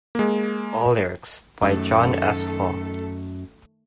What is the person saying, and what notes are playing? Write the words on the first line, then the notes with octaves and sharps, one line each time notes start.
All lyrics by John S. Hall.
G#3 A#3
F#2 D#3 A3 A4